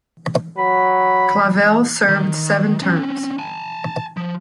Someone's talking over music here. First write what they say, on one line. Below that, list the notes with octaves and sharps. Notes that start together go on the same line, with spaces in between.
Clavelle served seven terms.
F#3 B5
D#3
C4 C#4
G#5 A5
F3